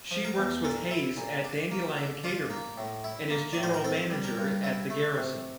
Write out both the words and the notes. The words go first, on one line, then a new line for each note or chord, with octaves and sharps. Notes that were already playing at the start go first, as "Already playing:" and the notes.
She works with Hayes at Dandelion Catering and is general manager at The Garrison.
F3
A#4
E2
A#2 A4
E4
A#2
D4
A#3
D3
D4 F4
A#3
A2
E4
A#3
A2 D5
C5
A#4
C4 A4
G3
A#4
G2
E4
A3
C3